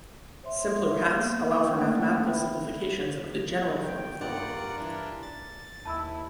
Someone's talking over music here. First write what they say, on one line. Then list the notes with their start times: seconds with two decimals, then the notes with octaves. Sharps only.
Simpler paths allow for mathematical simplifications of the general form of the law.
0.43 C5 C#5 E5 C6
1.05 A#3 B3
1.66 A3 A#3 C#4 F#5 G5 D#6
2.24 C4 F4 E5 B5
3.82 G5
4.21 G2 F4 A#4 D5 F#5 C#7
4.78 E3 D4
5.23 A6
5.86 D#2 E4 A5 B5 E6